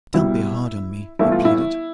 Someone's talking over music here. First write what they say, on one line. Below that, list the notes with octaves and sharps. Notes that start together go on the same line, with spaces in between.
"Don't be hard on me," he pleaded.
C2 B2 G3 E4
G1 G2 E3 A3 E4
F4
E4